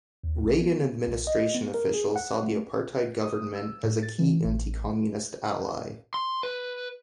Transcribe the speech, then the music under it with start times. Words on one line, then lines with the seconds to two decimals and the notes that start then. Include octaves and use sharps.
Reagan administration officials saw the apartheid government as a key anti-communist ally.
0.24 D#2
0.43 A#1
0.61 B3
1.07 B1
1.27 D#5
1.55 B3
1.74 A#4
1.94 G#4
2.16 F#5
2.43 A3
3.21 D#6
3.55 E6
3.83 A2
4.03 A6
4.18 E3
4.45 A1
6.14 C6
6.43 B4